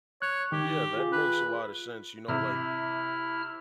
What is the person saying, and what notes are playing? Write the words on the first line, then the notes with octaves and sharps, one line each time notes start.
Yeah, that makes a lot of sense. You know, like,
C#5 F#6
D#3 G4
F4 G#4
B4
C3 E4 F6